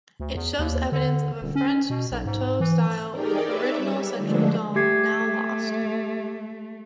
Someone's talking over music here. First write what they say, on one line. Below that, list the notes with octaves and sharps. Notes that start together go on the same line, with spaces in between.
It shows evidence of a French chateau style, with original central dome, now lost.
D2
E2
D#2
D3
D#1
C#4
B2
B1
G#2
E3
D#4 G4 G#4 A#4 D5 G5
B4 C#5 D5 E5 D6 E6
G3
D3 F3 G#3 A3 D4
A3 G4 G#6 C7